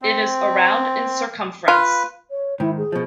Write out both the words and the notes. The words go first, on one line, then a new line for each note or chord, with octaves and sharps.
It is around in circumference.
C4
F4 B4
C#5
G#2 D#3 E4
G#4
B2 F3